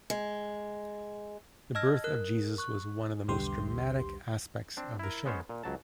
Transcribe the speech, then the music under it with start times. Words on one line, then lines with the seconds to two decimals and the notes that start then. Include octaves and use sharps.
The birth of Jesus was one of the most dramatic aspects of the show.
0.10 G#3
1.75 D#5 A5 E6 F6 G#6 A#6
2.04 A#4 F#6
2.58 C#6 F#6
3.28 B1 E2 D3 G3 G4 C6
4.77 C4 D4
4.99 E4 A#4
5.25 G#3 B3 C#4 C5 C#5
5.49 A#2
5.63 C#2 F#3 A5